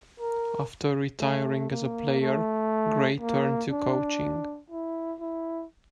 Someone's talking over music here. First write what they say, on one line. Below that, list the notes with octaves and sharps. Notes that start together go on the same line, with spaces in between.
After retiring as a player, Gray turned to coaching.
A#4
A3
A#3
A3
A#3
D4
E4
E4